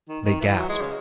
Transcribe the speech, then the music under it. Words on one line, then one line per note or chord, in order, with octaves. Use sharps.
They gasped.
D#3
D#3
E3
F#3
G#3
C#3